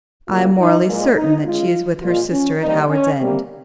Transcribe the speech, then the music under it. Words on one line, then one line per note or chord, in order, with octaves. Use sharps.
I am morally certain that she is with her sister at Howards End.
C#3 G3 A#3 F4
D#4
A#2 G#3
D#4
C#3 G#3 F4
A#2 G#3 F4
C#4
C3 D#3 G3 A#3 D#4
C#4
C3 G3 A#3 C4